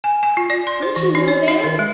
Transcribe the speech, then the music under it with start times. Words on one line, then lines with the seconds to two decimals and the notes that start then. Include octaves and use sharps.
Don't you know them?'
0.04 G#5
0.23 G#5
0.37 F4
0.50 D5
0.67 C6
0.82 C5
0.96 E3
1.15 D#4
1.28 C#5
1.48 D#4
1.64 D#3
1.79 G#3